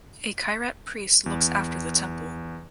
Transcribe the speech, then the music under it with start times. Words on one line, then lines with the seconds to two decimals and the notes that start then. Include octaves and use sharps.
A kirat priest looks after the temple.
1.26 E2